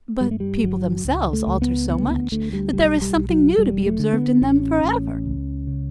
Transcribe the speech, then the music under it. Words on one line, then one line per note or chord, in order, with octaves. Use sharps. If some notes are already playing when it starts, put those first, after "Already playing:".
"But people themselves alter so much, that there is something new to be observed in them for ever."
G2 G3
A3
G3
G1 F#3
C#2
A3
C#2
B3
D2 B3
B3
D2 A3
G3
B1 G3
G3
B1
F#3
E1 G3
A3
D3
B3
A1 C#4
A1
C#2
C#3